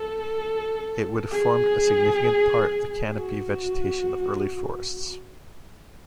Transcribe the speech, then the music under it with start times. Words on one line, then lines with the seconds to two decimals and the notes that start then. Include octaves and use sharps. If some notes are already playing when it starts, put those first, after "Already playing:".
It would have formed a significant part of the canopy vegetation of early forests.
Already playing: A4
1.31 G#4
3.16 F#4